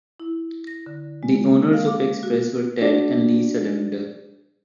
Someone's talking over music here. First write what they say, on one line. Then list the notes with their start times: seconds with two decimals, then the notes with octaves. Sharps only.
The owners of the Express were Ted and Lisa Lavender.
0.20 E4
0.67 A#6
0.86 D3
1.23 G#3
1.46 A#3
1.73 F5
1.87 D6
2.23 F#4
2.82 D4 F#4 D5